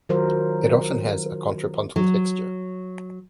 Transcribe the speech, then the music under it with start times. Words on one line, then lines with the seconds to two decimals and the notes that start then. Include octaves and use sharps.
It often has a contrapuntal texture.
0.09 D#3 F#3 F4 A#4 C5
1.96 F#3